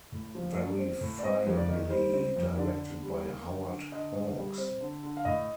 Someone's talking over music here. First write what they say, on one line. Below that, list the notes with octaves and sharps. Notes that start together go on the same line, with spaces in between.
Verifiably directed by Howard Hawks.
A2
F3
A3 D5
C4
A2
D5
C4 D#5
F2
D5
D#3
G3 C5
C4
F2
D3 D5
D3
G3
A#3
D3
D3
D3 D#5
D3
G3
C4
D3
D3
F5
A2 D#5